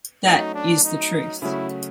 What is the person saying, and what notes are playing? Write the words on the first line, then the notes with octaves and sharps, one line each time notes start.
That is the truth.
F#3 A3 C#4 D#4 F#4
D4
D#4
C#3 F#3 A3 C#4 E4 F#4